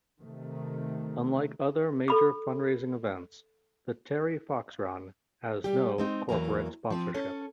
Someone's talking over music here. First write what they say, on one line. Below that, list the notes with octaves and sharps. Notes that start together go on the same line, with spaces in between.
Unlike other major fund raising events, the Terry Fox Run has no corporate sponsorship.
C3 D#3 A3
A4 B5 D6
G3 G4
G#3 C4 D#4
E2 E3 F#3 A#3 A#5
F3 C4
C#4 A4